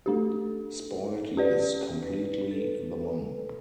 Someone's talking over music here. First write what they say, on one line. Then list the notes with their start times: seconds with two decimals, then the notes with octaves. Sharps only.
Spoiled yes - completely the mom!
0.06 A3 D4 G4 A4
1.37 C#4 G4 B4 D5
2.02 B4
2.35 B4
2.51 A4